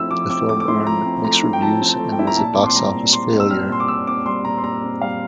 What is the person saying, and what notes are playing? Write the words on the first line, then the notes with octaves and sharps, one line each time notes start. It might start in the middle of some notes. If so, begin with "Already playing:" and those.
The film earned mixed reviews and was a box office failure.
Already playing: F3 A3 C4 E4 E6
F3 D6
C4 D6
A3 D6
D6
E4 C6
F3 A#5
C4
A3 A#5
E4
G5
F3 A5
C4
A5
A3
G5
E4
A#5
A#2 A5
C4 D6
C6
G3 A#5
A#2
A#2 C6
C4
E6
G3 F6
A#2 C6
D6
A#2 E6
C4 D6
G3 C6
A#2 A#5
C6
A#2 A#5
C4
G3 F5